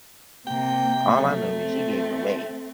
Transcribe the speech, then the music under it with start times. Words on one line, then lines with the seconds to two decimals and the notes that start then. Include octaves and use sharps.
All I know is, she gave it away,
0.47 C3 A#3 G5
1.18 F#3 A3
1.62 C4